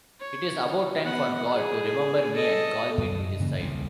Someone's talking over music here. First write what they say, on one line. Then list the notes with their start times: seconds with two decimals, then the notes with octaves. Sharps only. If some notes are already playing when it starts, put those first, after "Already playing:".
It's about time for God to remember me and call me to his side.
0.20 C#5
1.02 B3 F#5
1.54 G#4
2.34 A4 D#5
2.98 F#2
3.39 G2 C#3 E3 A#3
3.60 D#1 C2 C#3